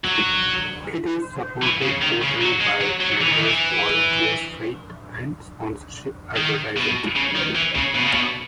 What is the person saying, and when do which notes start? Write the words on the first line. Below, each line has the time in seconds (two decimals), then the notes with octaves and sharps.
It is supported totally by members, volunteers, faith and sponsorship advertising.
0.04 F#3
1.62 E3
1.82 C#3
2.02 D#3
2.22 C#3
2.41 F#3
2.61 G#3
2.81 F#3
3.01 F#3
3.21 E3
3.32 D#3
3.43 E3
6.36 D#3
6.77 B2
7.16 C#3
7.36 D#3
7.55 E3
7.75 C#3
7.95 B2
8.04 C#3
8.13 B2